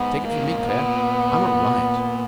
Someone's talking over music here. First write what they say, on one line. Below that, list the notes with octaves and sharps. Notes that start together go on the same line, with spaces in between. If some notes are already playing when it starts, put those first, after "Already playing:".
Take it from me, Claire, I'm a riot.
Already playing: G#2 B3
D#3 A#3
C#3
B2
A#2 B3